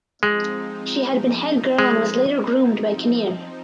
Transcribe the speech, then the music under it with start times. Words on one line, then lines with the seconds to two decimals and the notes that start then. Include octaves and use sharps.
She had been head girl and was later groomed by Kinnear.
0.22 F3 G#3 C4 D#4
1.79 G#3